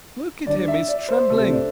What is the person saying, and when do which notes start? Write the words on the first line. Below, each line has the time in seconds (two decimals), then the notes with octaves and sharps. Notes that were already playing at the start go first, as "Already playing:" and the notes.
Look at him, he's trembling!
0.47 D2 D3 G3 D4 D5
0.68 E5
0.88 D5
1.09 C5
1.30 C2 C3 A3 C4 G4 A4
1.50 D4